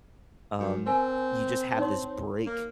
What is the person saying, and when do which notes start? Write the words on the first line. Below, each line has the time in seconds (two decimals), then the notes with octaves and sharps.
um, you just have this break
0.59 F#2
0.87 C4 A#4 G#5
1.78 D#4 C#5 C6
2.47 A#3